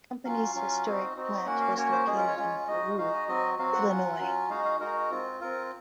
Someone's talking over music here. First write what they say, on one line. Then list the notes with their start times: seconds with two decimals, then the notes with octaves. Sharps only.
The company's historic plant was located in Peru, Illinois.
0.25 F#3 C#4 F4 F5
0.55 F#3 C#4 F4
0.86 C4 D#4 F#4
1.16 C4 D#4 F#4
1.46 A#3 C#4 F#4 F#5
1.61 F5
1.77 A#3 C#4 F#4 C#5
1.92 C5
2.07 G#3 C#4 F4 G#4
2.17 A#4
2.27 C#5
2.37 G#3 C#4 F4
2.68 G#3 D#4 F#4 D#5
2.98 G#3 D#4 F#4 F5
3.14 D#5
3.28 F#3 C4 F#4 D#5
3.58 F#3 C4 F#4 F5
3.74 F#5
3.89 F#3 C#4 F4
4.19 F#3 C#4 F4
4.50 G#3 D#4 F#4 F5
4.65 F5
4.80 G#3 D#4 F#4 A#4
5.11 C4 F4
5.41 C4 F4 A#4